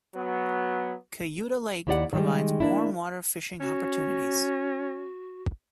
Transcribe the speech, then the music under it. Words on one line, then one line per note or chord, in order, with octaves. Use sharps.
Cayuta Lake provides warmwater fishing opportunities.
F#3 B3
D#2 E4 G4 A#4 D5 F#5
D#3 G3 G#3
A#3 D4 E4
C#4 F#4